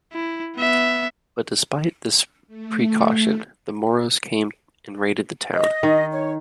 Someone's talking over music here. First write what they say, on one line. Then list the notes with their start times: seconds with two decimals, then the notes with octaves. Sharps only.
But despite this preacaution, the Moros came and raided the town.
0.13 E4
0.57 B3 E5
2.47 A3
5.53 D#5
5.83 D#3
6.11 C#5